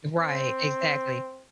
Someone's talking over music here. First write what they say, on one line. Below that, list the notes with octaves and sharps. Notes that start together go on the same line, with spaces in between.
Right, exactly.
C4